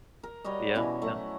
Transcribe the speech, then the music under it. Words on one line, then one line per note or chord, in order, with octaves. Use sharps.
Yeah, yeah.
A#4
G3 F#4 C#5 D#5
B2 E3 C#4 E4
F#3 A3 F#5